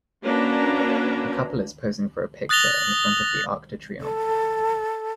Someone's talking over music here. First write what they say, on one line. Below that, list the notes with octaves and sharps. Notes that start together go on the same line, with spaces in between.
A couple is posing for a picture in front of the Arc de Triomphe.
A#3 C#4 D4 F#4 B4 A#5
D#6 F#6 A6 A#6 F7 G7
A4